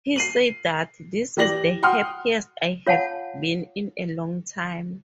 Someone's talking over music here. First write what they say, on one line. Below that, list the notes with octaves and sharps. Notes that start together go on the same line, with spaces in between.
He said that, This is the happiest I have been in a long time.
C7 D#7 F#7
E3 G4 D5 A#6 F#7
F#5 G5 C6 D#6 F6
F4 C#5 F5 F#5 A5